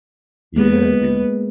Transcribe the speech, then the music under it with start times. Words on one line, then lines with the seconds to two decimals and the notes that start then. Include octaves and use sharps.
Yeah, dude.
0.56 G#3 A#3 B3 B4